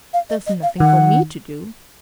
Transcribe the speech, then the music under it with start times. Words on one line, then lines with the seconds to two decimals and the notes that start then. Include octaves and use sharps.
There's nothing for me to do.
0.13 F5
0.30 D#5
0.47 D#5
0.63 F5
0.80 D#3 F#5